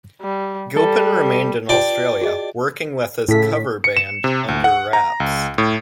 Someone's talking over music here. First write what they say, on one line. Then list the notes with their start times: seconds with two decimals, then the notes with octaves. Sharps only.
Gilpin remained in Australia, working with his cover band Under Rapz.
0.21 G3
0.77 G3 A4
1.69 D4 F4 G4 B4 G5
2.21 F#4 G#4 D#5
3.28 A2 C#3 A4 B6
3.84 C#7
3.97 E7
4.24 C3
4.48 D2
4.64 F#5
4.93 A#5
5.20 C#2
5.58 A2